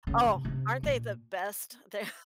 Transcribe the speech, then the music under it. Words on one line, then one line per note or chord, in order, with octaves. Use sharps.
Oh, aren't they the best? They're
C#3
C3
C3
A#2